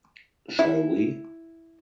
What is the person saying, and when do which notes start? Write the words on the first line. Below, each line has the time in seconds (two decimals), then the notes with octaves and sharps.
Shall We?
0.59 E4